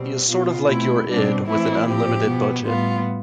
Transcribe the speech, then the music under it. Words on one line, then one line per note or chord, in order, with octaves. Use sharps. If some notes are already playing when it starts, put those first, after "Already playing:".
He is sort of like your id with an unlimited budget.
Already playing: B2 G3 C4
B2 B3 F4
B2 A3 C4 E4
B2 G3 C4 D4
E3 A3 C4 E4
A2 F3 C4 G4
B2 B3
A2 G3 B3 F4